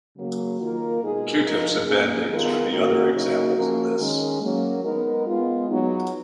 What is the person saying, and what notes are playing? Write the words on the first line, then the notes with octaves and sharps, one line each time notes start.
Q-tips and band-aids would be other examples of this.
C#3 F#3 A#3
D#3 A#3 F4 A#4
B2 G#3 D#4 G#4
F3 G#3 D#4 A#4
B2 A#3 C#4 G#4
D#3 G#3 B3 F4 A#4
D#3 A#3 C#4 F#4 A#4
C#3 F#3 A#3 D#4 F#4
F3 A#3 C#4 F#4 A#4
D#3 G#3 C#4
F#3 A#3 C#4
G#3 B3 D#4 A#4
G#3 B3 F4
F#3 B3 D#4